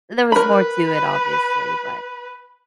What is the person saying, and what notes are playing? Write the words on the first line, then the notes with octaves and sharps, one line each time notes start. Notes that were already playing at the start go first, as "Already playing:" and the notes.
there was more to it, obviously, but
A#4 B4 B5